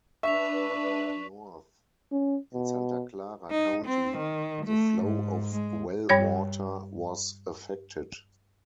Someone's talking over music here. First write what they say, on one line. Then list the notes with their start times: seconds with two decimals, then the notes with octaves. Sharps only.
Farther north in Santa Clara County the flow of well water was affected.
0.23 D4 B4 E5 C#6 B6 F7
2.11 C#4
2.54 B2
3.51 D#4
3.85 C4
4.17 D#3
4.66 A3
5.04 G#2
5.51 G#3
6.09 G2 G3 C#5 G#6